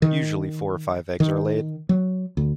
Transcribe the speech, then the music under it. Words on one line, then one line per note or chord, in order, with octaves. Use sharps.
Usually, four or five eggs are laid.
D#3
D#3
F#3
D2